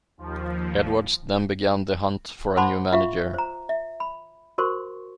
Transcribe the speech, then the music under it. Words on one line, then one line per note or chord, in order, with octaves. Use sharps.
Edwards then began the hunt for a new manager.
D#2 F3
C5 F#5 A5 B5 C6 D6
F4 E5 F5 C#6
C5 A#5
E5
B5
F#4 A#4 C5 C6 C#6